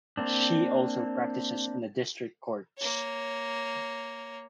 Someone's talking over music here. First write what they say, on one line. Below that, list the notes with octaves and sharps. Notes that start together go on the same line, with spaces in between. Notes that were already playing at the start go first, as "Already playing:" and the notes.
She also practices in the district courts.
A#3 C4 D4
A#3 C#5